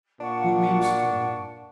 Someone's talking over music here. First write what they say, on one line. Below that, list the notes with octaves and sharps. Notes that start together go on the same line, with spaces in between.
Who weeps for them?
A#2 D4 F5 F#5 C#6